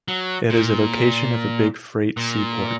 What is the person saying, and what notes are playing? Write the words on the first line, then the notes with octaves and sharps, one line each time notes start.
It is a location of a big freight seaport.
F#3
A#2
A#2